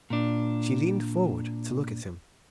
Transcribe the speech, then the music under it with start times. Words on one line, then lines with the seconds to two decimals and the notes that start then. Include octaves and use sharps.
She leaned forward to look at him.
0.10 A#2 D4